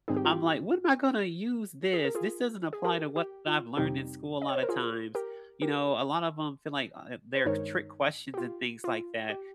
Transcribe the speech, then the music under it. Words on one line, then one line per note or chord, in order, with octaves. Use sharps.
I'm like, "When am I gonna use this? This doesn't apply to what I've learned in school a lot of times." You know, a lot of 'em feel like, uh, they're trick questions and things like that,
G#2 D#3 G3 C4 D#4 G#4
G4
F4
G4
G#4
A#4
F4 G#4
G#4
G4 A#4
G4
F4
F2 C3 G3 C4 D#4 G4
D#5
C#5
C5
A#4
F4 G#4
G4 A#4
G4 A#4
C5
G2 D#3 G#3 D#4 A#4 C#5
G4
F4
F4
G4